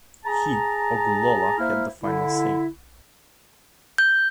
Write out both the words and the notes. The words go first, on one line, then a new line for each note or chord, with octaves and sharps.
He, Ogulola had the final say.
G#4 A5 A#5
A#3 E4 C5 E5 F6
D3 E4
G6